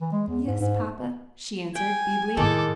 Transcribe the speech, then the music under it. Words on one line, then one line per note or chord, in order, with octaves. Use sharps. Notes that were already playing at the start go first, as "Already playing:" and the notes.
"Yes, papa," she answered feebly.
E3
G#3
E2
G#2
G#2
G5 G#5
A2 D#3 G#3 D#4 A4 D6